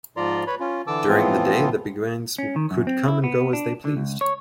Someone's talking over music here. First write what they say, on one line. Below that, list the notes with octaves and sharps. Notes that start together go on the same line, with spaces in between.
During the day the beguines could come and go as they pleased.
G#2 F3 F4 D5 A#5 C6
B4 C#5 B5
C#4 F4
D3 E3 A5 D6 E6
A2 E3 F3 B3 C4 F4
C#4
D#3
F#2
C4
E4
B3
D4
D3
C#2
C#5